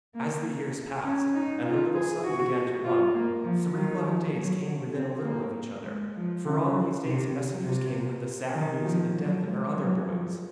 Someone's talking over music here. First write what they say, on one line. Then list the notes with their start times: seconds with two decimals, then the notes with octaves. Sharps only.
As the years passed, and her little son began to run, three black days came within a little of each other, for on these days messengers came with the sad news of the death of her other boys.
0.15 A#3
1.04 C#4
1.35 D#4
1.64 F4
1.95 G#4
2.24 F#4
2.84 F4
3.14 A#3
3.44 F3
3.75 D#3
4.05 F3
4.34 F#3
4.94 C4
5.24 A#3
5.85 G#3
6.15 F3
6.45 C#3
7.05 C3
7.64 C3
8.54 D#3
8.85 F3
9.15 F#3
9.44 G#3
9.74 F#3
10.05 F3